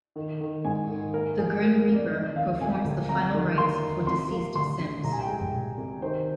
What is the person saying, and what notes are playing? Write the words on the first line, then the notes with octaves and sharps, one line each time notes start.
The Grim Reaper performs the final rites for deceased Sims.
D#3
D#3
G#2 G#5
D#3
A#3 A#4
A#3 G#4
A#3 A#4
A#4
F2
D5
D#3 D#5
C3 F5
C3 G#5
D2
F2 A#5
D#3
A#3 C6
D#3
C3 C6
A#3
D2 C6
D2
C2 A#5
G#5
G5
G#3 G#5
C2
C3
D#3 C5